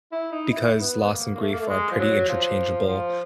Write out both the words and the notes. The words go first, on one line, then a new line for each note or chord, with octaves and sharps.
because loss and grief are pretty interchangeable
E4
D#4
E4
B3
B3
A#3
A#3
A3
A#3
A3
G#3
F3
F#3
F3
F3